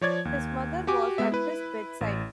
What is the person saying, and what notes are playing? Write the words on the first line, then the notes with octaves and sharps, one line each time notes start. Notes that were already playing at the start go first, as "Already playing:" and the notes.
His mother was at his bedside.
F3 C#5 D5 G#6
D#2
F#4 G4 G#5 D6
G#3 B3 E5
E4 B4
A1